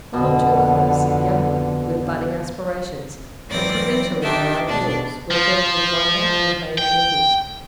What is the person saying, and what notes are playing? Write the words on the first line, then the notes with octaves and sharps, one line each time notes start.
One or two others, younger, with budding aspirations, but provincial in their ideals, were filled with wonder and vague envy.
F2 B2 D3
G#2 E3 F#3 C4 D5 A#6
D#3 D4 G4 E5
B2 D4 D5
F3
G5